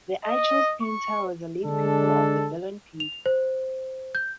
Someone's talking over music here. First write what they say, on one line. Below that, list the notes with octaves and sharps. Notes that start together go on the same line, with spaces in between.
The Achilles Painter was a late pupil of the Berlin Painter.
D#5
C#6
D3 G#3 D4 A4
F7
C5
G6